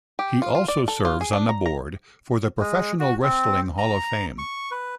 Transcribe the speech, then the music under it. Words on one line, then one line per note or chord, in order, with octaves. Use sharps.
He also serves on the board for the Professional Wrestling Hall of Fame.
G4
F4
F4
D5
A4
F4
G#4
D4
A#5
A#5
G#3
F#4
C4
A#5
C#6
B4